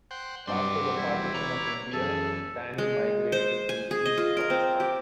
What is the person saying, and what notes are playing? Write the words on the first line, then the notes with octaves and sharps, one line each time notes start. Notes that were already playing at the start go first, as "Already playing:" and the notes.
After the Partition of India, Dani migrated to East Pakistan.
C5 F#5 G5
G2 F#3 G3 C4 C5 D5 F#5
E1 E4
B4 C#5 D5 A#5
F#2 E3 G#4 A4
G#3
C5
G#5
G#4
D#5
F4
A#4
C4
G4